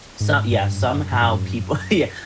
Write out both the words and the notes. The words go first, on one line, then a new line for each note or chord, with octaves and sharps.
So Yeah, somehow people yeah
G#2
G2
F#2
F#2
G#2
F#2
F#2